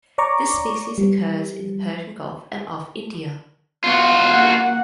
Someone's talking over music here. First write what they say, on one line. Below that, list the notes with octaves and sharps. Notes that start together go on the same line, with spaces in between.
This species occurs in the Persian Gulf and off India.
C#5 D5 A#5 C#6 D6
G3
B3 F4 F#4
A#3 F#5